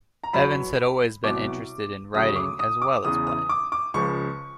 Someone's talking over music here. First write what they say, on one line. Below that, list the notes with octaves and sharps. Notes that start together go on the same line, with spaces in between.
Evans had always been interested in writing as well as playing.
A#5
E2 B2 F#3 B5
C2 B2 F#3 D6
D2 C#3 F#3 D#6
D6
D#6
D6
E2 C#3 E3 D#6
D#6
D6
D6
C#2 C#3 F3 C#6